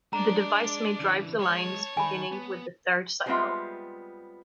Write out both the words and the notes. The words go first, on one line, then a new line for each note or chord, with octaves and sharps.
The device may drive the lines beginning with the third cycle.
G#3 D4 D5 A#5
C#3 E3
F#3 G#3 C#5 A5
D#3 D#4 G#5 B5
B3
G3 G#3 B3 C4 F4 E5